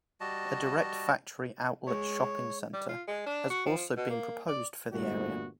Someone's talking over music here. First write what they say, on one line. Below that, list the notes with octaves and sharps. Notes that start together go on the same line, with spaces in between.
A Direct Factory Outlets shopping centre has also been proposed for the area.
G3 F#4 D#5 A5
G#3 C#5
G3
F4
G#3
D4
F#4
F3
B2
A#3
D5
G1 G2 A#2 A3 B3 F#4